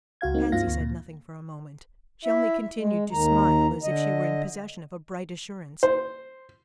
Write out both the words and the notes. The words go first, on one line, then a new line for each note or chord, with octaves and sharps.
Pansy said nothing for a moment; she only continued to smile as if she were in possession of a bright assurance.
C#2 F#4 F5 G#6
A#3 C4 D#4
G2 A#3 C4 F4 F5 A#6
D2
A#2
E4 E5
G#3
D#2 D#3 A#5
D3 D#5
C5